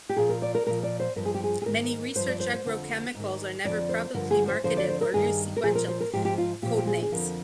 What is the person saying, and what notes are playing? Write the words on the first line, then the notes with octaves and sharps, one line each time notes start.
Many research agrochemicals are never publicly marketed or use sequential code names.
G4
A#2 F3 G#4
A#4
D5
A#4
A#2 F3 A#4
D5
C5
G2 F3 A#4
G#4
G4
G#4
G#4
G#2 D#3 A#4
G2 F3 C5
D5
C5
C5
F2 D3 F3
G#2 D#3
F2 D3 F3 D5
C5
G2 D3 F3 A#4
G#4
C5
F2 D3 F3 C5
D5
C5
A#4
G2 D#3 G#4
A#4
A#2 F3 G#4
A#4
C5
A#4
G#2 F3 G4
G4
F4
A#2 F3 G4
G4
G#4
G#4
F2 D3 F3 A#4